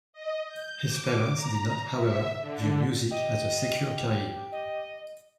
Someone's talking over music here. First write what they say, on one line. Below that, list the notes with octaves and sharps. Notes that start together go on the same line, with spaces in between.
His parents did not, however, view music as a secure career.
D#5
G6
D6
A#5
E5
D3
G4 D#5
D#5